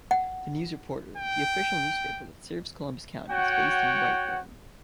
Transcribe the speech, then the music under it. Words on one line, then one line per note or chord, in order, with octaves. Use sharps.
"The News Reporter," the official newspaper that serves Columbus County, is based in Whiteville.
F#5
G5
F#4 C#5 F#5 G5